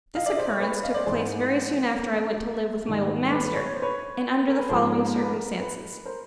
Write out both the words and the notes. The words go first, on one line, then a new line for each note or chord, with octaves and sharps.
This occurrence took place very soon after I went to live with my old master, and under the following circumstances.
D#5 F5
D5 E5
D#5
C5 D5
C#5 D#5
B4 C#5
B4
D#5 F5
C5 D5
G#2 E3 G#3 C5 D5
A#4
G#2 D#3 G3
B4
B4
B4 C#5
C#5
C5
B4 C#5
A#4
B4
G#2 F3 G#3 A#4 C5
A#4
A#4
B4
A#4
B4
A#4 C5